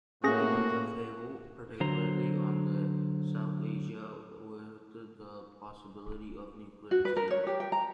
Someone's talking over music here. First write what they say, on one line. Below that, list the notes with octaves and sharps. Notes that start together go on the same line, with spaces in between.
It means upheaval, particularly on the South Asia, with the possibility of nuclear exchanges.
A2 A#3 C#4 F#4 G#4 A#6
D3 F#3 C5 A#5
F#4
B4
A#4
C#5
G4
G5
A#5